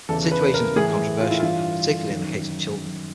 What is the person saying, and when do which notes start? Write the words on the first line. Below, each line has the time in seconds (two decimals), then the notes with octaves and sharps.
The situation has been controversial, particularly in the case of children.
0.09 E2 C#3 E3 A4
0.31 B4
0.54 A#4
0.76 A2 E3 G#4
1.20 F4
1.30 E4
1.40 G2 E3 F4
2.10 F#2 D#3